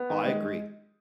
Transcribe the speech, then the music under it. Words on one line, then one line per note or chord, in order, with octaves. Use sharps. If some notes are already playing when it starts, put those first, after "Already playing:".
Oh, I agree.
Already playing: B3
D#3
G#3